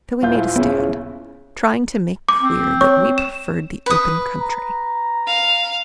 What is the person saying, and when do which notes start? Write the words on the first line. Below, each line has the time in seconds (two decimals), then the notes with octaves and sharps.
So we made a stand, trying to make clear that we preferred the open country.
0.22 D#1 E4 F4 G6
0.56 C#3 B3
2.29 D6
2.42 C4
2.81 C#5 C#6
3.18 E7
3.86 B4 D#6
4.40 A#5
5.27 F5